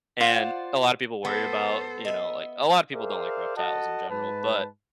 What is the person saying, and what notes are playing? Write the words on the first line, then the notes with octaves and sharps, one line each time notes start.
and a lot of people worry about, you know, like a lot of people don't like reptiles in general, but
F4 C5 D5 F#5
B3 A4 C5
D#5 E5
G#4 A#4 C5 D5 E5 F5
F#4 A4 D#5 F#5 A5
G#2 B4 A5